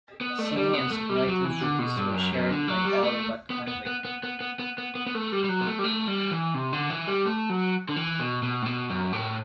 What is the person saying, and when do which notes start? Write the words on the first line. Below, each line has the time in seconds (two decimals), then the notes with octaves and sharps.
Singing and songwriting duties were shared by all but Conway.
0.21 B3
0.38 A3
0.57 G3
0.73 B3
0.91 A3
1.09 G3
1.27 F#3
1.45 E3
1.62 D3
1.79 B2
1.97 G2
2.14 F#2
2.32 F#2
2.51 D3
2.68 F#3
2.85 G3
3.03 A3
3.50 B3
3.67 B3
3.86 B3
4.05 B3
4.23 B3
4.41 B3
4.59 B3
4.78 B3
4.95 B3
5.07 B3
5.15 A3
5.32 G3
5.44 G3
5.49 F#3
5.61 B3
5.67 A3
5.79 G3
5.84 A3
6.08 G3
6.31 E3
6.54 C3
6.73 D3
6.90 E3
7.07 G3
7.25 A3
7.50 F#3
7.89 D3
7.96 E3
8.20 B2
8.43 B2
8.62 A2
8.66 B2
8.90 F#2
9.13 A2